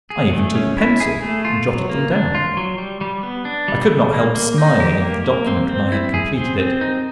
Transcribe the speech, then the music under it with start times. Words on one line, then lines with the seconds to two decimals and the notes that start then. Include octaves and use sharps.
I even took a pencil and jotted them down. I could not help smiling at the document when I had completed it.
0.10 G#4
0.33 A3
0.55 C#4
0.77 E4
1.00 G#4
1.22 A3
1.45 F4
1.67 F#3
1.89 A#3
2.11 D4
2.35 F4
2.57 F#3
2.78 G3
3.01 G3
3.23 B3
3.45 D4
3.68 G3
3.91 G3
4.13 A#3
4.35 A#3
4.58 D#4
4.80 G4
5.02 A#3
5.24 A#3
5.47 C4
5.69 C4
5.92 E4
6.14 G#4
6.36 C4
6.59 C4
6.81 D#4